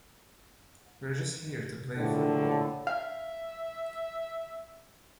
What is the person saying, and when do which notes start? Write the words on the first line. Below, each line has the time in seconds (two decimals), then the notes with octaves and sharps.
We are just here to play football.
1.97 A#1 A2 D3
2.87 E5 F5